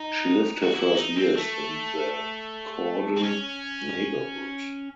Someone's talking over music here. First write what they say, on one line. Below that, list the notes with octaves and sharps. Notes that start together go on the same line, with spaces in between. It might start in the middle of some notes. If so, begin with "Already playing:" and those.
She lived her first years in the Cordon neighbourhood.
Already playing: D#4
F#4
E4
D#4
C4
A3
C4
C#4